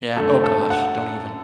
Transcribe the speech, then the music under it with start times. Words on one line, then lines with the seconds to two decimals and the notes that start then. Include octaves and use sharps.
yeah, oh gosh, don't even.
0.17 F#2 D3 A3 A4
0.44 A4
0.70 F#5